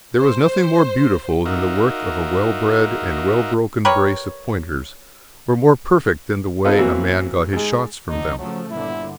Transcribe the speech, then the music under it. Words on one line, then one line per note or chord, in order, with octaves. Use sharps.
There was nothing more beautiful than the work of a well-bred and well-broken brace of Pointers, or more perfect than the way a man got his shots from them.
C5
D#4 F#4 A#4 E5 F5
G4 A#4 B4 C#5
C4 D#4 F4 A4 B4
E3 F#3 A#3 C4 F#4
G#2 G#3
G#1 F2 D3 D#4
C#3 F3 F#3 A3
G1 A#2 D3 E4